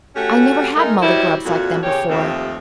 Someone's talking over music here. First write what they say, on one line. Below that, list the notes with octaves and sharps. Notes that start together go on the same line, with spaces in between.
I never had mullygrubs like them before.
A3 C#4 F#4 G4
G#3 A3 D#4 A#4
F#3 G3 E4 C5 C#5
F2 A#2 F#4
E2 C#3 G4 C#5
D#2 C3 F3 A3 C4